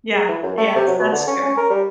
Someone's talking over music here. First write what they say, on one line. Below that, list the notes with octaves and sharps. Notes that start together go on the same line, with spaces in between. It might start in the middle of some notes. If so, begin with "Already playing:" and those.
Yeah, yes, that's true.
G#3
E3
F#2
A3
C3
F#3
B2
D3
C#4
C#4
A#4
G3